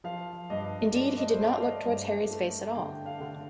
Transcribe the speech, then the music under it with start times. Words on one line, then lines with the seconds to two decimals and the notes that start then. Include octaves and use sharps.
Indeed, he did not look towards Harry's face at all.
0.04 F3 F5
0.50 G2 D#5
0.94 A3 D5
1.18 D#5
1.30 C5
1.40 A3 D5
1.54 F5
1.63 D#5
1.85 G2
2.31 A3
2.75 D3 G5
3.06 F5
3.20 D3